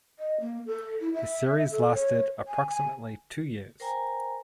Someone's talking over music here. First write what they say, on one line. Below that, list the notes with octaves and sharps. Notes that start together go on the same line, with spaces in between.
The series lasted approximately two years.
D#5
A#3
A4
E4
E5
A4
C#5
G#5
G#5
A#4 C5 G5 G#5 A#5